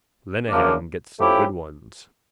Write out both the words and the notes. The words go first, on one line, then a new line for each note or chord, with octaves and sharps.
Lenehan gets some good ones.
F#2 C#3 F3 A#3 D4
F3 A3 C#4 E4 G4